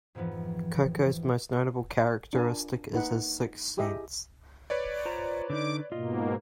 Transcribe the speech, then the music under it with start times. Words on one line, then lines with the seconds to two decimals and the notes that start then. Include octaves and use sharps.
Koko's most notable characteristic is his sixth sense.
0.15 F2 G#2 E3 F3 B3
2.33 D4 F4 A#4 G#5 A5
2.92 A#3 D#4 B4 F#5
3.77 E4 G4 G#4 D#5 E5
4.70 B4 C#5 D5
5.06 F4 C5 A#5
5.50 D3 D#4 D6
5.92 G#2 B2 A#3 F4 D#5